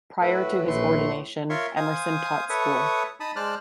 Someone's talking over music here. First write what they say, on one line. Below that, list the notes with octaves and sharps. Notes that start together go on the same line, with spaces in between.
Prior to his ordination, Emerson taught school.
A2 F#4 B4 E5
A#1 A3 C6 C#6
F4 A#4 C#5 E5 C6 C#6
C5 F5 G#5 D#6
A4 B4 C#5 E5 C#6 D#6
D#4 A5 B5 D#6
G#3 C5 D5 A5 F6 F#6